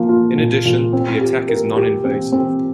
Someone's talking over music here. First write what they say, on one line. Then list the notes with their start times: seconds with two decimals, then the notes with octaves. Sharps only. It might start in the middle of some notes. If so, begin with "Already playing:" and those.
In addition, the attack is non-invasive.
Already playing: A#2 F3 A#3
0.09 F4
0.38 A#2
0.65 A#2
0.93 C4
1.21 G4
1.49 A#4
1.76 G4
2.05 C4
2.32 C4